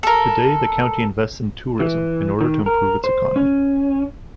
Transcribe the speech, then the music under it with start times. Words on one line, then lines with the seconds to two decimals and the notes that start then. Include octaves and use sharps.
Today the county invests in tourism in order to improve its economy.
0.03 A4 A#4
1.80 E3
2.41 D#3
2.66 A#4
3.04 C5
3.36 C#4